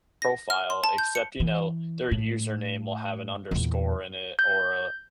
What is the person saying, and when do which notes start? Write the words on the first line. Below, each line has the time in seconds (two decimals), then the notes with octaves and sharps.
profile except, you know, their username will have an underscore in it or, uh,
0.22 A#6
0.50 F6
0.70 C6
0.84 A5
0.98 G6
1.15 C#7
1.40 E3
2.11 A2
3.51 E2 A#2
4.39 G6